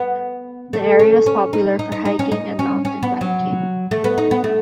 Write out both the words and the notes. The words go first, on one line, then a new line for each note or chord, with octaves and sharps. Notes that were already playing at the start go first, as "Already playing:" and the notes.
The area is popular for hiking and mountain biking.
Already playing: B3
A3
C#4
C#4
D#4
D#4
D#4
D#4
C#4
D#4
C#4
C#4
B3
F#3
A3
B3
D#4
B3
A3